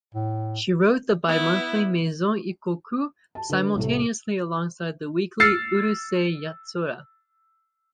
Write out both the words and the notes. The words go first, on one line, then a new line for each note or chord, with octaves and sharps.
She wrote the bimonthly "Maison Ikkoku" simultaneously alongside the weekly "Urusei Yatsura".
A2
B3 E4
A5
D3 B4
C2 A2 C3 A3
E6 F6 A6 C7 C#7